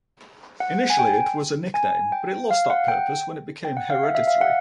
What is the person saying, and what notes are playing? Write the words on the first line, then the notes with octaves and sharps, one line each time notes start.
Initially, it was a nickname, but it lost that purpose when it became hereditary.
F#5
G#5
G5
G#5
G5
F5
F#5
G5
G5
F#5
F5
E5
E5
F5
F#5